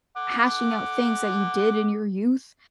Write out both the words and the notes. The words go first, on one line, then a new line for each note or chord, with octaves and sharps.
hashing out things that you did in your youth,
F#5 D6